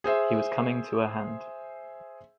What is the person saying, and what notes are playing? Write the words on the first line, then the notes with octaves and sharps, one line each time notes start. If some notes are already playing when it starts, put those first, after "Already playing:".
He was coming to her hand.
G#4 C5 E5